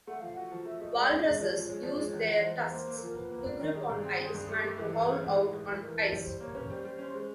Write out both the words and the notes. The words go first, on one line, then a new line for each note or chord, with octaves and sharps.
Walruses use their tusks to grip on ice and to haul out on ice.
A3 F#5
F3 F5
F#4 F#5
F3
A3 E5
A3 D#5
G#3 D5
C#4
G#3
D5
F3 C#5
F3
G#3 C#5
F3 D5
G#3
C#5
E2
E2 C#5
E2 C5
E2 B4
A#3 C5
A#3
A4
F3 A#4
F3 B4
A#3
D4
B4
D#3 A#4
G3 G#4
G2 G#4
C4
C4
G2
A3 G4
A3
E3
E3 A4
G#4
A3 G4
G#4
G#2
E3
A2
A2
E3 A#4
E3
G3 C#5
G3 C5
A#3 C#5
C#4 B4
G3 C5
G3
C#4
G#3